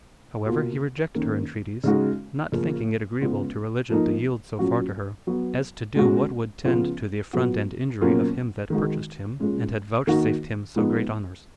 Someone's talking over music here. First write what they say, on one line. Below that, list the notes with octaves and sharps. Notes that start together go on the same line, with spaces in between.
However, he rejected her entreaties, not thinking it agreeable to religion to yield so far to her, as to do what would tend to the affront and injury of him that purchased him, and had vouchsafed him so great honors.
B2 A#3 F4
D#3 A#3 C#4
C#3 G#3 D#4 F#4
C#3 F3 A#3 C#4
C#3 G#3 B3 F4
F3 A#3 D#4
A#2 F#3 C#4 F#4
F#3 B3 F#4
B2 G#3 C#4 F#4
C#3 F3 B3 F4
A#2 F#3 B3 F#4
B2 F#3 A#3 C#4 F4
D#3 G#3 D#4 F#4
A#2 G#3 C#4
D#3 A#3 D#4 F#4
F3 G#3 B3 D#4